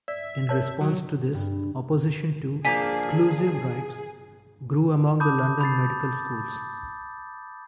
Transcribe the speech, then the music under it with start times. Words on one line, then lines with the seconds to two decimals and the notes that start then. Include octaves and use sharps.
In response to this, opposition to "exclusive" rights grew among the London medical schools.
0.08 D5 E5
0.49 A#4 C#5 A5
0.81 F#3
1.34 G2
2.65 F3 A#3 D4 G#4 G#5 B6
5.20 A5 B5 D6 D#6 G6
5.61 B5 G6 A6 C7